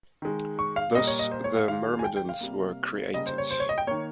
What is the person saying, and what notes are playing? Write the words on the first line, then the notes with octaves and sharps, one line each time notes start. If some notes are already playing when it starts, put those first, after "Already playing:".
Thus the myrmidons were created.
D#3 G#3
C#6
F5
A#2 G3 A#3 D#5
C#5
D#5
C5
C#5
F5
D#3 G#3 F5
G#5
G5
G5
F5
C3 G3 A#3
C#3 G3 A#3 D#5
C5
C#5
C5
C#5
D#5
G5
D#3 A#3 C#5